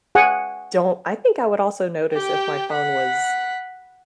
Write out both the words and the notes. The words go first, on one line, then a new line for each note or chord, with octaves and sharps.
don't I think I would also notice if my phone was,
G#4 F#5 G#5
G4 G5
F#5 B5